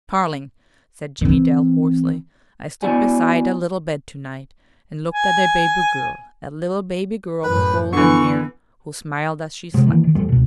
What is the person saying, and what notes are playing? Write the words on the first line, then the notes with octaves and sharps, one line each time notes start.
"Carling," said Jimmie Dale hoarsely, "I stood beside a little bed to-night and looked at a baby girl--a little baby girl with golden hair, who smiled as she slept."
E3 C4
B3 E4 F#4 D5 G#5
G#5
F#2 A2 B4
D3 E3 B3 C#6
F1 C3 G#3
D#3 E3 A#3
D#3
E2 G3 A3
C#2 B2